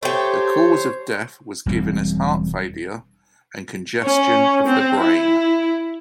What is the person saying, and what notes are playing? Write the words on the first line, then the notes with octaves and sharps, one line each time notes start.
The cause of death was given as heart failure and "congestion of the brain".
A3 G4 C5 C#5
E1 G3 C4
C#4
C4
E4